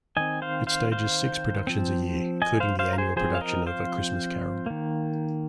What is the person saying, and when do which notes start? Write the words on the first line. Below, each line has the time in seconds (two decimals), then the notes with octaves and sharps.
It stages six productions a year, including the annual production of "A Christmas Carol".
0.17 D#3 C4 D#5 G#5
0.42 C5 F5
0.67 C5 F5
0.92 C5 F5
1.67 F3 C4
2.42 D#5 G#5
2.60 C5 F5
2.79 C5 F5
2.93 A#4
2.98 G#4 C5
3.16 F3 C4 G#4 C5
3.35 F5
3.41 A#4 D#5
3.67 C5 F5
4.66 D#3 A#3